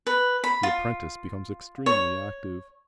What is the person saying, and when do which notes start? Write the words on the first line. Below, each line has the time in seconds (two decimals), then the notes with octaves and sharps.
The apprentice becomes extremely active.
0.07 B4
0.44 B5
0.63 F4
1.86 C#5